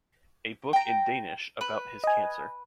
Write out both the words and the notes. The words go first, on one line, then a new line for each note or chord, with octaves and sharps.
A book in Danish about his cancer.
G5 A#5
B4
D#5 G#5